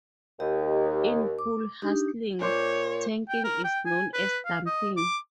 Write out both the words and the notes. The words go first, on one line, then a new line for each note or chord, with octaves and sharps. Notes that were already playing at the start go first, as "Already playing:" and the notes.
In pool hustling, tanking is known as dumping.
D#2 G4 D#5
D6
D4 D#4 G4
A#2 C5 C#5 D6
G5
A#4
G5
G#5
B4
F5
D#5
D6